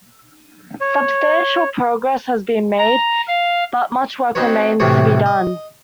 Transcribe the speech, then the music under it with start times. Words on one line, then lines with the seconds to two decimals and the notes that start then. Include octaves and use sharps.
Substantial progress has been made, but much work remains to be done.
0.81 C#5
2.78 A#5
3.28 F5
4.35 C4 C#4 D#4 F#4 B4 C#5
4.80 A2 C3 E3 F#4 C#5 D#6
5.26 D#5